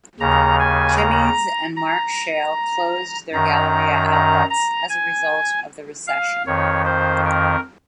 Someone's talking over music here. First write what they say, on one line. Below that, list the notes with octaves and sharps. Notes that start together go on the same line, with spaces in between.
Jimmy'z and Mark Shale closed their Galleria outlets as a result of the recession.
D#2 C#3 A#5
G#5
A#5
A#5
F#2 D#3 A#5
A#5
A#5
G#5
F5
F2 D#3 C#5
C5
A#4